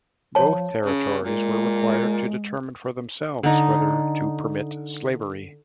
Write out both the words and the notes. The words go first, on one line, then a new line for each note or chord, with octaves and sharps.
Both territories were required to determine for themselves whether to permit slavery.
F3 C#5 A5
C#3 C#4
A#2 G#3
D3 D#4